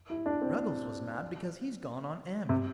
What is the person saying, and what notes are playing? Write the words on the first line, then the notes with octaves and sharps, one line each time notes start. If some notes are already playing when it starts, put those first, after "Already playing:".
Ruggles was mad because he's gone on Em.
E4
D4
C4
C3